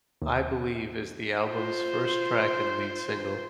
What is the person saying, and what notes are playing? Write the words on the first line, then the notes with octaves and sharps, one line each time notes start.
"I Believe" is the album's first track and lead single.
D#2
F4 C5